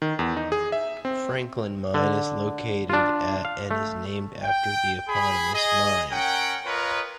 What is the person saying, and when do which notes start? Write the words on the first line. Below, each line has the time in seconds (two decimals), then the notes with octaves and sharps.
Franklin Mine is located at and is named after the eponymous mine.
0.02 D#3
0.19 E2
0.37 D#4
0.52 G#4
0.72 E5
1.05 C4
1.94 D3
2.90 D4 F4
3.45 F5
3.71 A3
4.44 G5
5.09 G#4 B5
5.55 G#4 D#5
6.12 C#4 A#4 F#5 G5
6.66 F4 A#4 B4 C#5 D#5